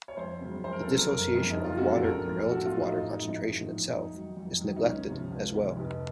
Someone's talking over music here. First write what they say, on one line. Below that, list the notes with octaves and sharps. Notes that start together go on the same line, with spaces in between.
The dissociation of water and relative water concentration itself is neglected as well.
C#5
F2 C5
C#3 F#3
F2 C5
A#4
A4
C#3 F#3 A#4
F#1 A#4
F2 C#3 F3
D#4
F#1
F4
F2 C#3 F3 F#4
A4
A#1 A#4
A2 F3
A4
A#1 F#4
F4
A2 F3
D#4
A1 D#4
D#4
A2 F3
D#4
A1
F3
A2
F2 D#4
D#3 F#3
F2
D#3 F#3
D#4
C#2 C#4
C3 F3
C#2
C3 F3
F1